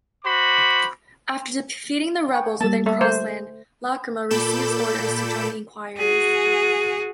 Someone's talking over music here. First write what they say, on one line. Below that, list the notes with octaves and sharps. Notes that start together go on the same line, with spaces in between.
After defeating the rebels within Cross Land, Lacryma receives orders to join the Inquirers.
F#4 C5 B5 D6
G5 G#5 C#6
G3 A#3 A5
A3 A4 E5
A3 C5
A#2 A4 B5 D6 G6 E7
F#4 G#4